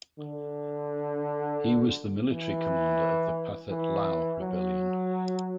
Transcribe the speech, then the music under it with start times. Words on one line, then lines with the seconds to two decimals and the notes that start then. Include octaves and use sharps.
He was the military commander of the Pathet Lao rebellion.
0.19 D3
2.30 E3
3.70 E3
4.40 F#3